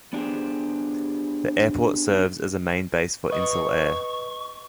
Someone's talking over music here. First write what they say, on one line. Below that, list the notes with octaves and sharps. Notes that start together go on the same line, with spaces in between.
The airport serves as a main base for Insel Air.
B3 D4 G4 G#4 C5
B4 D#5 C#6